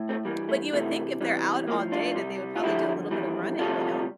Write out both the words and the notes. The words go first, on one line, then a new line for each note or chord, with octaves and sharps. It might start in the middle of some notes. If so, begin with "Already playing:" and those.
But you would think if they're out all day that they would probably do a little bit of running, you know?
Already playing: A2
A3 C4
G2 E3 G3 A#3
A3
C2 C3 E3 G3 A3
E2 C3 E3 G3
A2 F3 A#3
D4 F4
C2 C3 G3
F4
G2 D3 F3 E4 G4
F2 E3 G3
D2 C3 G3 F4 A4